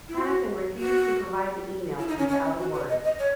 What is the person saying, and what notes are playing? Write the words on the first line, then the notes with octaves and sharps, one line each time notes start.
Hanafin refused to provide the emails without a warrant.
E4
F#4
F#4
E4
D#4
C#4
C#4
C#4
F#4
B4
D#5
D#5
C#5